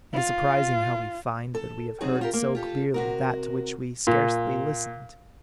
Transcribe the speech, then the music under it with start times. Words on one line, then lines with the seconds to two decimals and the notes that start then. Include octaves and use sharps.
It is surprising how we find that we have heard so clearly that to which we scarcely listened.
0.13 F4
1.55 A4
2.00 F#3 C4 D#4 F#4 G#4 C#5
2.21 F4 G4 A#4
2.33 A#3
2.55 F4 G4 A4
2.94 C3 F#4 A#4
4.07 A#2